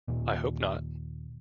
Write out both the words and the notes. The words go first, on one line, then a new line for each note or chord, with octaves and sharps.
I hope not.
D#2 A#2